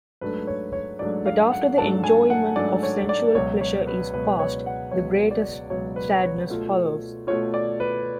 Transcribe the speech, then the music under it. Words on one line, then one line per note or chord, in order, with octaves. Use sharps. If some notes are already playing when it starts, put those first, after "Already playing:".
But after the enjoyment of sensual pleasure is past, the greatest sadness follows.
G#2 F#3 A3 D4 B4
C#5
C#5
G#2 F#3 A3 D4 D5
F5
F#5
G#2 F#3 A3 D4 A5
G#5
F#5
G#2 F#3 A3 D4 D5
C#5
D5
C#2 B2 F#3 C#5
C#5
B4
C#2 B2 F#3 B4
C#5
F#5
C#2 B2 F#3 C#5
D5
C#2 B2 F#3 C#5
B4
C#5
B2 A3 F4
B2 A3 F4 C#5
D5
B4